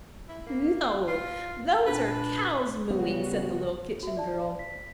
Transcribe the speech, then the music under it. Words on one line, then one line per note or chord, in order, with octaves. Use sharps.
"No, those are cows mooing!" said the little Kitchen-girl.
E4
A#3
F4
A#2 D4 B4
C#3 G3 B3 F#4
F#4 E5
D5 A5
B6